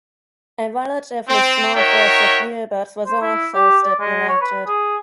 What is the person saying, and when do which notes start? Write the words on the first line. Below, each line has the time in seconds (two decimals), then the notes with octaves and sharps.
A relatively small force of U-boats was also stipulated.
1.27 C4
1.75 D#4 F#4 A#4 C#5 E5 G5
3.07 C5
3.22 E4
3.54 G4
3.84 D5
4.00 G#3
4.29 C#5
4.41 B4
4.67 G#4